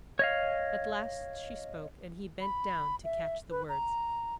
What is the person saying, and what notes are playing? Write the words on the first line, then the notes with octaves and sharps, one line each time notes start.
At last she spoke, and he bent down to catch the words.
C#5 D#5 F5
B5
E5
B4
A#5